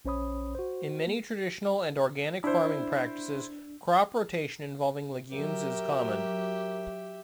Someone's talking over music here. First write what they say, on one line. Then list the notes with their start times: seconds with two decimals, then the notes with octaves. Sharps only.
In many traditional and organic farming practices, crop rotation involving legumes is common.
0.05 A#1 C#4 C5 C#5 B5 D#6
0.55 F#4 C5
1.06 A#3
2.44 D4 E4 C5
5.32 F#3 G4 A#4 E5